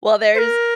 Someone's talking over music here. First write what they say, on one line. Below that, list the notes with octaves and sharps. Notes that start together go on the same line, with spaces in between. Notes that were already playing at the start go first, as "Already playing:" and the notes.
Well, there's
C5
A#4